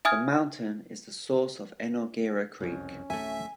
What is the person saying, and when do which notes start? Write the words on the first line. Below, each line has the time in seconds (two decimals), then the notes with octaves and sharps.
The mountain is the source of Enoggera Creek.
0.05 E5 G#5 D#6 F6 G#6
2.60 F#1 C2 F2 C#4
3.10 D1 A3 E5 G#5